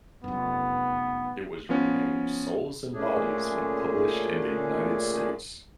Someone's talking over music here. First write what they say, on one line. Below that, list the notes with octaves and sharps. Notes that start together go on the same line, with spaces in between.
It was renamed Souls and Bodies when published in the United States.
F1 F#2 B3
F3 B3 C#4
A#2 D3 A3 C#4 D4 G#4